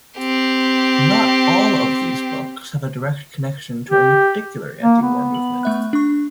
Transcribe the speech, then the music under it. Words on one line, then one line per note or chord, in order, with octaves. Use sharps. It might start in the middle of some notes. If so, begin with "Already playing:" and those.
Not all of these books have a direct connection to any particular anti-war movement.
C4 G4
G4
A#3
B3
F#7
A3 E5 F#6
D4 C#6